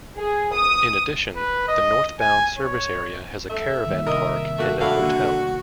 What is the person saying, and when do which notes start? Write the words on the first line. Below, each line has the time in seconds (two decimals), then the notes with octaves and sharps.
In addition, the northbound service area has a caravan park and a hotel.
0.17 G#4
0.54 D#6
1.37 B4
1.68 D#5
2.20 G#5
2.59 C#5
3.50 A3 E5
3.86 D#3 G3 A#3
4.07 C3 B3 A#4 D#5
4.58 A3 A#3 F#4
4.80 A3 D4 E4 F#4 F5
5.02 D3 A#3